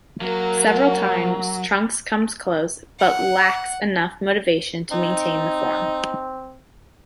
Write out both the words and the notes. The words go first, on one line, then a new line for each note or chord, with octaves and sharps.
Several times, Trunks comes close, but lacks enough motivation to maintain the form.
F#3 A#3
F#5
C4 D#4